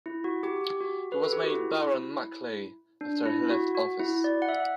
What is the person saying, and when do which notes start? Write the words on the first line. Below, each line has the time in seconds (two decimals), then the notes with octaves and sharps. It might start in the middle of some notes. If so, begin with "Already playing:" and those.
He was made Baron Maclay after he left office.
0.06 E4
0.24 F#4
0.43 G4
0.61 G4
0.80 F#4
1.12 B4
1.23 A4
1.33 G4
1.43 F#4
1.54 E4
3.01 D4
3.26 E4
3.50 F#4
3.75 F#4
3.99 E4
4.24 D5
4.42 F#5
4.49 E5
4.60 E5